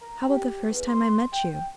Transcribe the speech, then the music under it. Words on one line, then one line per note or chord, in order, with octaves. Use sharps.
How about the first time I met you?
A#5
G4
E2
C6
G5